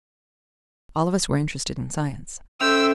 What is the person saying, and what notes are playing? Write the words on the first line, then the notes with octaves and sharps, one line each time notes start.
All of us were interested in science.
C#4 A4 C5 E5 G5 E6